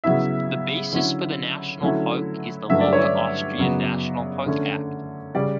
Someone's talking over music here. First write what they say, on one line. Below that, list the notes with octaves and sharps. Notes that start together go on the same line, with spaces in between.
The basis for the national park is the Lower Austrian National Park Act.
C#3 F#3 B3 E4 E5
D3 F#3 C#4 E4
D3 F#3 A3 C#4 E4
G2 D3 F#3 A3 C#4 E5
D5
C#5
D5
F#2 C#3 F#3 B3
D3 A3 C#4
C#3 G3 D5